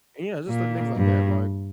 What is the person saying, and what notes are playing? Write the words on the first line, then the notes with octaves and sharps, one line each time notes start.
And yeah, just doing things like that, like
A#2
G2